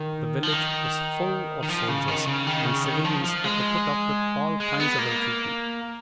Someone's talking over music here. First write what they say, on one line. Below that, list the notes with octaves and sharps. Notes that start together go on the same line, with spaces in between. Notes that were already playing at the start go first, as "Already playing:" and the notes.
The village was full of soldiers, and civilians had to put up with all kinds of ill-treatment.
Already playing: D#3
F3
D#3
D#3
F3
C#3
D#3
C#3
D#3
C#3
D#3
F3
F3
G#3
G#3
B3
A#3